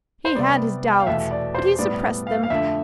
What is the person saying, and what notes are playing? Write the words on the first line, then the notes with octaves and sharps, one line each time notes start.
He had his doubts, but he suppressed them.
C5
C3 G3 B3 D5
G5
F5
E2 B2 A3 E5
D5
C5
A2 G3 B3 D5
F5
F5
F2 D3 A3 E5